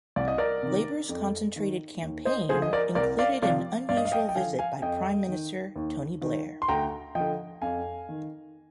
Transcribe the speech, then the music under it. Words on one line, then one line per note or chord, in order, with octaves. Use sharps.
Labour's concentrated campaign included an unusual visit by Prime Minister Tony Blair.
C2 D5
D#5
A#4 D5
C3 D#3
F2
D#3
D#2
C5 D#5
D3 F3 G#4 C5
D#5
A#4 D5
C2 A#4 D5
D5 F5
C3 F3 D5 F5
G2 D5 F5
D#5
F5
D#5 G5
G5
D3 F3 F5 G#5
F5 G#5
F2 D#5 G5
D#3
D#2
D#3
C6
D2 G5 A#5
D3 F3 D#5 G5
F2 F5 G#5
D#3